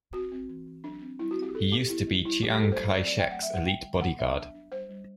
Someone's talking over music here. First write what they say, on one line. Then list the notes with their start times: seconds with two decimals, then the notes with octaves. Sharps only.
He used to be Chiang Kai-shek's elite bodyguard.
0.13 C4 F#4
0.32 C4
0.49 E3
0.66 E3
0.84 F#3 D4
1.02 C4
1.19 G3 E4
1.31 F#4
1.38 C4 G4
1.55 C4 A4
1.72 D3 G4
1.89 B3 E4
2.07 G3
2.25 G3 E4
2.42 G3 G4
2.60 A3 A4
2.72 C5
2.78 F#3
2.83 C5
2.96 C4 D5
3.07 D5
3.13 F#3
3.18 G5
3.30 A3 F#5
3.42 E5
3.48 F#3
3.54 F#5
3.66 D3 G5
3.84 G3
4.01 B3 F#5
4.19 F#3 E5
4.36 D4
4.55 D4
4.72 G3 C5
4.89 G3